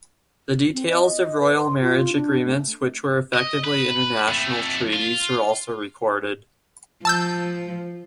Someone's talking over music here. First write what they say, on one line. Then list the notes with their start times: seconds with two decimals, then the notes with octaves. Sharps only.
The details of royal marriage agreements, which were effectively international treaties, were also recorded.
0.73 C4
0.89 D#5
1.39 B4
1.57 C6
1.81 F4
2.13 D4
2.46 A3
3.34 D#5
3.64 B4
4.28 F2 A3
4.93 F4
7.05 F3 A5 E6 G6